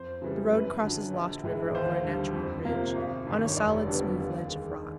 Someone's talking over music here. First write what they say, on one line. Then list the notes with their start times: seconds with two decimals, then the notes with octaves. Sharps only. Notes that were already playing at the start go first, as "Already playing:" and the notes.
The road crosses Lost River over a natural bridge, on a solid, smooth ledge of rock.
Already playing: F2 C5
0.22 C#3 E3 G3
0.53 F#2 B4
0.83 D3 F#3
1.14 A#1
1.44 A2 E3 G#3
1.75 D#2 C5
2.05 D3 G3
2.35 F2
2.65 C3 F3 A#3
2.95 G#1
3.27 G2 D#3
3.45 C#5
3.57 F1 D5
3.87 F2 D3 G3 B3
4.18 D#2
4.48 D#3 G#3